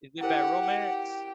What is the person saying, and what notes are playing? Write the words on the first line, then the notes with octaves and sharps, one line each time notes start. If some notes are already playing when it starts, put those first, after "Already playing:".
is it Bad Romance?
E4 G4 A#4 C5 F#5